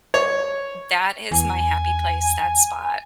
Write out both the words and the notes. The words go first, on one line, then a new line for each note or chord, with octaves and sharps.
that is my happy place, that spot.
C#5
E2 G#5